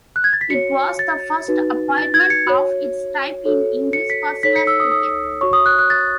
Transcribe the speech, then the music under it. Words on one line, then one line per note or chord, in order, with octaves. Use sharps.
It was the first appointment of its type in English first class cricket.
F#6
G#6
A6
B6
F#4 C#5 C#7
A6
D#4 F#4 B4
A6
G#6
C#7
F#4 C#5
F#4 A4 C#5
C#7
B6
D#4 A4 C#5 B6
C#7
E6
D#6
D#6
F#4 C#5 C#6
D#6
F#6
F#6
A6